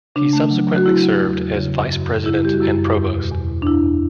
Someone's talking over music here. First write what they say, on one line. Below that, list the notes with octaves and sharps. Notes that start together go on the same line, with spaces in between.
He subsequently served as Vice President and Provost.
C#3 D4
A3
F#3
F#3
F#4
F#3 E4
F#3
E2
E2
C#3
F#2
F#2
F#2
C#3 E4
G3 G4
F#4
F#2 E4
F#2
E2
B2
E2
E2
D4
E2 E4
E2